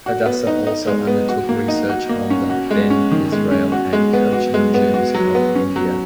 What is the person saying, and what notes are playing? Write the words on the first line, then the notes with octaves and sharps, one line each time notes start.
Hadassah also undertook research on the Bene Israel and Cochin Jews of India.
F#4
B3
D#4
D#4
G#3
B3
F#4
A#3
D#4
F#4
A#3
C#4
F#4
G#3
C#4
D#3
G#3
C#4
F#4
G#3
B3
F#4
G#3
B3
F#4
F#3
B3
C#4
F#3